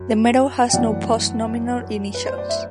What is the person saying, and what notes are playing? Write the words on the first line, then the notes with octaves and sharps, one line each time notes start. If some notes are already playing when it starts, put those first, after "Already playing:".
The medal has no post-nominal initials.
Already playing: F#2 F#3
G5
F#2 E3 A3 D5 F#5
B4
C5
D5
E5